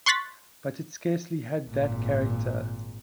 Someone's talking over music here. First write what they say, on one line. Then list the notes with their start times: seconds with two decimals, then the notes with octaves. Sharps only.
But it scarcely had that character.
0.06 C6 C#6 F#6 A6 B6
1.69 G#1 A#2